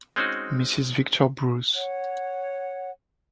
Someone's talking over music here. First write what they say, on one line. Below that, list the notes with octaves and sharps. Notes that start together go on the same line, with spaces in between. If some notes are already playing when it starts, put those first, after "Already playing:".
Mrs Victor Bruce.
G#3 C4 C#4 D#4 F#4
C#5 F#5